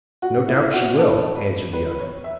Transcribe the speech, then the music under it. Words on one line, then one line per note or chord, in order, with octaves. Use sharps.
"No doubt she will," answered the other.
F#4
E4
F#4
A4
B4
B4
B4
C#5
E5